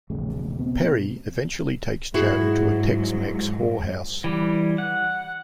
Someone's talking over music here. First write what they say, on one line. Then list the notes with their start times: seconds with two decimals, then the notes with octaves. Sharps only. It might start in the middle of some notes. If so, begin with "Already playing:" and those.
Perry eventually takes Joe to a Tex-Mex whorehouse.
0.10 E1 A#1 C#3 A3
0.59 B2 C4
2.14 G#2 F#3 E4 F#4 G#4
4.24 E3 G3
4.78 F#5